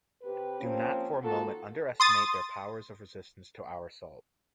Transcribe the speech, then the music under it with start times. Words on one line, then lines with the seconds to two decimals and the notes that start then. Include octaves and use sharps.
Do not for a moment underestimate their powers of resistance to our assault.
0.21 C3 G4 B4
0.59 F3 A#3 C4 C#4
1.21 D#3 A#3 F4 F#4 A4
2.00 C6 D#6 A6